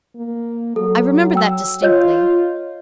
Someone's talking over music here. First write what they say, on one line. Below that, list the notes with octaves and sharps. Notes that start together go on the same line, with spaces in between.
I remember that distinctly.
A#3
F#3 A4
G5 E6
F4 C#5 D#5 G6